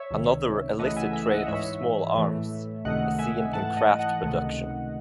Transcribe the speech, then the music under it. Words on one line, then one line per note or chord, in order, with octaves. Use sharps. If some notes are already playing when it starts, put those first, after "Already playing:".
Another illicit trade of small arms is seen in craft production.
Already playing: C#5 E5
C#2 C3 D#3
C#2 C#3 E3 A3 D#5 F#5
E5 G#5
E5 G#5
D#5 F#5
G#2 E3 G#3 C#5 E5
A2 E3 A3
C#2 C3 D#3 A3 D#5 F#5
E5 G#5
G#2 E3 A3 F#5 A5
D#5 F#5
D#5 F#5
C#2 C3 D#3 A3